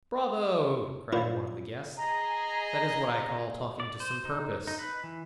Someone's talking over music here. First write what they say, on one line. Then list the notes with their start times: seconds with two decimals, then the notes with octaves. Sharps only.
"Bravo!" cried one of the guests; "that is what I call talking to some purpose."
1.13 A#2 E4 F4
1.97 G#4 D#5 A#5
3.80 D5
4.00 C5
4.25 D#4
4.67 D#4
4.79 B4
5.04 E3